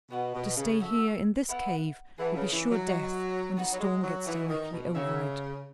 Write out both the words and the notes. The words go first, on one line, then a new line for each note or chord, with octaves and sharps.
To stay here in this cave will be sure death when the storm gets directly over it.
B2 B3 F#4 B4
B2
C#3
F#4 A4 E5
B3 E4 B4 F#5
E3 G#4 B4 F#5 A5
C#3
E3
F#3
D#4 F#4 C#5
B3 D#4 F#4 B4
F#3
G#3
F#3
E3 D#4 F#4 C#5 F#5
D#3
B2
C#3 D#4 F#4 C#5 E5